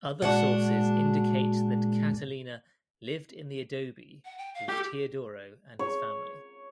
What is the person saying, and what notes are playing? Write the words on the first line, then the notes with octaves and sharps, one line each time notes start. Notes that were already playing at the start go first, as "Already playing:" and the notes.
Other sources indicate that Catalina lived in the adobe with Teodoro and his family.
A#2 G#3 D4 F#4 F#5
F#5
G5
F5
G4 A4
C#5